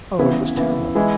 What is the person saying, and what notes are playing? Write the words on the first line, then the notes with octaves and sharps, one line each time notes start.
Oh, it was terrible!
C#3 E3 B3 E4
C#3 E3 B3 E4
E3 G#3 E4